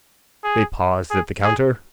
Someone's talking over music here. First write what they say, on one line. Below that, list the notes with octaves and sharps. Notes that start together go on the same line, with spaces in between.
They paused at the counter.
G#4
G#4
G#4